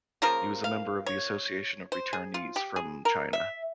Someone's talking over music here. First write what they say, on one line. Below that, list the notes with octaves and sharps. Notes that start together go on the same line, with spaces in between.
He was a member of the Association of Returnees from China.
C#3 F3 A#3 F4 A#4
F5
C#5
C5
G#4
F4
G4
G#4
A#4
E5